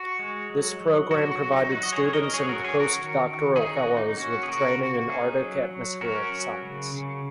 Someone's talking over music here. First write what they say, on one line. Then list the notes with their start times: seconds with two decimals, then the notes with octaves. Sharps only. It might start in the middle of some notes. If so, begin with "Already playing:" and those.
This program provided students and postdoctoral fellows with training in Arctic atmospheric science.
Already playing: F#4
0.19 G#3
0.50 F#3
0.80 F#3
1.11 F#3 F#4
1.31 F#4
1.42 F#3
1.52 D#4
1.72 F#3 F#4
1.83 D#5
1.93 G#4 C#5
2.03 C#4
2.13 A#4 D#5
2.33 F#3 G#4 C#5
2.49 F#4 A#4
2.64 C#4 G#4 C#5
2.79 F#4 A#4
2.95 D#3
3.25 D#3
3.56 C#4 D#4 G#4
3.76 F#4
3.87 A#3
3.97 D#4
4.17 C#4 F#4
4.43 G#4
4.48 C#3 F#4 A#4
4.79 A#3 F#4
5.09 C#4 D#4 G#4
5.40 F#3
5.71 F#3
6.01 C#4 F#4 A#4
6.32 F#3
6.62 C#3
6.94 C#3